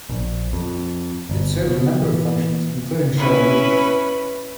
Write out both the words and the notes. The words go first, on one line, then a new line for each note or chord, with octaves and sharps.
It served a number of functions, including showing movies.
A#1
F2
G1
B2
E3
C#4 E4 B4